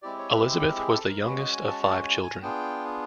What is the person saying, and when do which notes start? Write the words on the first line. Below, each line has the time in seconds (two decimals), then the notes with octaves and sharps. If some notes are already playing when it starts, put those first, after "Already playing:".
Elizabeth was the youngest of five children.
0.02 G#3 C4 E4 G4 D5
0.18 C#5
0.33 B4
0.48 C5
0.62 A#4
0.78 G#4
0.93 A4
1.08 A#4
1.22 G#3 C#4 F#4 B4
1.38 D#5
1.52 G#5
1.68 A5
1.83 A5
2.03 G#5
2.23 G#5
2.42 B3 D4 F4 G#4 G5